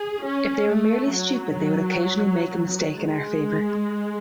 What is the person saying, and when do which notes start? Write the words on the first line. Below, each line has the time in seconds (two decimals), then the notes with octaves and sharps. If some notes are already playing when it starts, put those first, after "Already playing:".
If they were merely stupid, they would occasionally make a mistake in our favor.
Already playing: G#4
0.24 C#4
0.70 A3
1.14 F#3
2.95 G#3